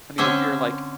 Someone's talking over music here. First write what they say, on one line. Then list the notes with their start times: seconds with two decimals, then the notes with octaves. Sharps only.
I mean, if you're like
0.18 D3 C4 C#4 E5